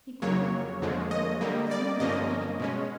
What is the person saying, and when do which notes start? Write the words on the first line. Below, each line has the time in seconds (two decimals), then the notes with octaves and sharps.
He quietly turned over, and resumed his reading.
0.22 F2 C#3 F#3 A#3 C#5
0.81 F2 D3 F3 G#3
1.11 D#5
1.41 D3 G3 A#3
1.71 D5
2.00 G2 D3 F3 A#3 C#4 D#5
2.59 B2 G#3 C#4